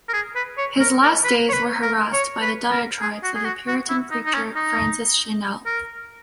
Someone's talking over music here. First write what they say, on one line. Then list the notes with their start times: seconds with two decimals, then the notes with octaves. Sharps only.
His last days were harassed by the diatribes of the Puritan preacher, Francis Cheynell.
0.09 A#4
0.13 G#4
0.36 B4
0.58 C#5
0.80 A#4
1.02 A#4
1.24 B4
1.49 C#5
1.53 B4
1.83 A#4
2.13 C#5
2.42 B4
2.72 A#4
3.01 G#4
3.23 F#4
3.35 G#4
3.45 F#4
3.68 F#4
3.89 E4
4.11 D#4
4.26 D#4
4.34 C#4
4.56 D#4
5.66 A#4